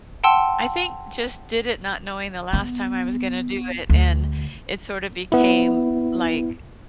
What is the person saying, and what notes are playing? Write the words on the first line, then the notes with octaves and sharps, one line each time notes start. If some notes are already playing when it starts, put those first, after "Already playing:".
I think just did it not knowing the last time I was gonna do it and it sorta became like,
F#5 G5 A5 C6 E6
B3
D2
B3 E4